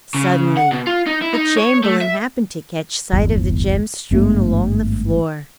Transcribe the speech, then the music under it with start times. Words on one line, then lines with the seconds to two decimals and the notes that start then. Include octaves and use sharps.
Suddenly the Chamberlain happened to catch sight of the gems strewn along the floor.
0.14 C#3
0.57 F#5
0.72 B2
0.87 F4
1.07 D#4
1.22 E4
1.34 D#4
1.58 C#5
1.84 A3
2.01 E5
3.13 D1 G1 E2
4.11 G#1 G2 A3 B3